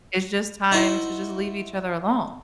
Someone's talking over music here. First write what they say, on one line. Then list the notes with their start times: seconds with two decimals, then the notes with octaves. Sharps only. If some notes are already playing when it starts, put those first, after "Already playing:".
it's just time to just leave each other alone.
0.72 D#4 E4 F#4 C5